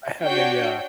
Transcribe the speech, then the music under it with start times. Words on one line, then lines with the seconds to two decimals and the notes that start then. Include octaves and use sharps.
I have a, uh
0.23 D4 F#4 C#5 G5